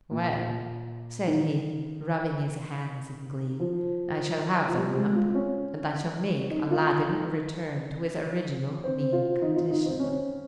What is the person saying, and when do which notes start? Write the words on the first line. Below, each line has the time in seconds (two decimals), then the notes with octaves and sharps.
"Well," said he, rubbing his hands in glee, "I shall have the lamp, and I shall make Aladdin return to his original mean condition."
0.11 A#2
1.27 D#3
3.60 F3
4.67 F3
4.77 G3
4.96 G#3
5.16 F4
5.35 C#4
6.51 D#4
6.71 F4
7.08 D#4
8.84 C4
9.13 F4
9.42 D#4
9.56 F4
9.71 D#4
9.86 C4
9.99 C#4